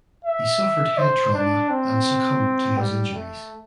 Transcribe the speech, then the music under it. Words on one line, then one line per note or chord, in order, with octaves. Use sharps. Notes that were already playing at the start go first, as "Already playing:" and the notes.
He suffered head trauma and succumbed to his injuries.
E5
C5
D4
C4
G3
A3